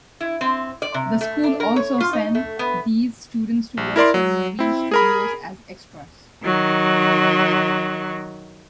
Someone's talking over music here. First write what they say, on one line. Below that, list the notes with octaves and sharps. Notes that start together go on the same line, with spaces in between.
The school also sent these students to work for movie studios as extras.
E4
C4
D5
C3
A3
D4
A#4
C#5
F4
D#4
A3
B3
A#1
E4 A#4 D5 C6
F#3
C4 E4
G#4 A#4 B5
D#3 F#3